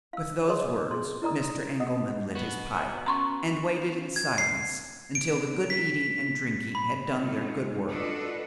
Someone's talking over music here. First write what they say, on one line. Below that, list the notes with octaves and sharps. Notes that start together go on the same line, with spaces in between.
With those words Mr. Engelman lit his pipe, and waited in silence until the good eating and drinking had done their good work.
F5 E6
G#4 C#5 D#5 C6 D#6
G#4 C6
E4 A#4 D5 A#5 D#6
D#5 F#5 D#6
B3 F#4
C#4 A#5 C6 C#6
G#6
C7
D7
B6
B5
D#3 G#3 A3 C#4 F4
D4 F4 F#4 A4 B4 D#5